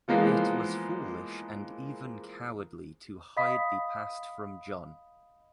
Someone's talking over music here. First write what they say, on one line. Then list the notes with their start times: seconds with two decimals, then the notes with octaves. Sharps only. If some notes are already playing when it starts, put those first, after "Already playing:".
It was foolish and even cowardly to hide the past from Jon.
0.08 E3 F3 G#3 A#3 B3 F4
3.37 D#5 F5 B5 D#6 B6